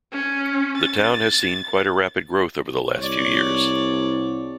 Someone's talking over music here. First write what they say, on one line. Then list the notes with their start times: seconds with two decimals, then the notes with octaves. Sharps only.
The town has seen quite a rapid growth over the last few years.
0.12 C#4
0.77 A6
2.98 C2 C#5 D5